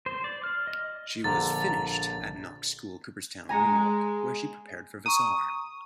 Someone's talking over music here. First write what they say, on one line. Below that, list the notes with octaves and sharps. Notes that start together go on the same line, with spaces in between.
She was "finished" at Knox School, Cooperstown, New York, where she prepared for Vassar.
C5
D5
F6
D#5
A#1 D3 A#5 A6
G#3 G#5 A#5 C#7
A#5 C#6 D#6